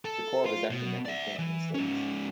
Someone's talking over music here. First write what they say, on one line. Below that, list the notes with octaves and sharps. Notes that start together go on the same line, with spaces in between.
The core of his acting method came from his studies.
A4
F4
B2
D5 E5
E3
G#2 C#4